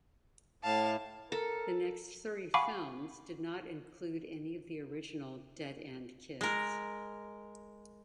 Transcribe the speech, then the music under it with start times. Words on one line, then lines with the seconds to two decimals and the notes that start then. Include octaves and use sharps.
The next three films did not include any of the original Dead End Kids.
0.63 A2 F5 A5
1.32 A4 A#4
2.54 F5 F#5 G#5 B5 C#6 D6
6.41 G#3 A#4